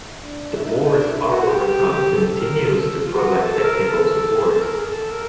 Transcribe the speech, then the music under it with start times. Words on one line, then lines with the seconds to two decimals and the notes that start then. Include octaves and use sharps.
The Morris Arboretum continues to provide technical support.
0.20 D4
0.56 E4
0.65 D#4
0.74 D4
0.82 D#4
0.93 D4
1.11 E4
1.31 F#4
1.41 F#4
1.49 G4
1.68 G4
1.92 G4
2.16 A4
2.40 A#4
2.65 A4
3.06 F4
3.15 F#4
3.40 A4
3.59 A4
3.65 A#4
3.89 A4
4.36 G#4
4.50 A4
4.63 A#4
4.77 G#4
4.87 A4
5.12 A#4